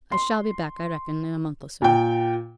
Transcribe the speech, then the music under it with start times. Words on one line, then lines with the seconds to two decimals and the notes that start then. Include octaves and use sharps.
I shall be back, I reckon, in a month or so.'
0.12 C6
1.82 A#2 G5